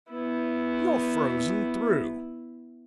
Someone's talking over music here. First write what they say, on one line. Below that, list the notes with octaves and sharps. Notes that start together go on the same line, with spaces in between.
You're frozen through!
B3 E4